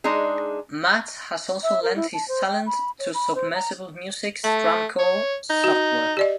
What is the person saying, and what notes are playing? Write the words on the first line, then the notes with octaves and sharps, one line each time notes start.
Matt has also lent his talents to Submersible Music's DrumCore software.
G#3 D4 D#4 G#4
E5
A#4
E4
A5
C5
G5
B5
C#5
B5
C5
A#5
A3 A5
C#5
D#4
F#4
G4 D5 D#5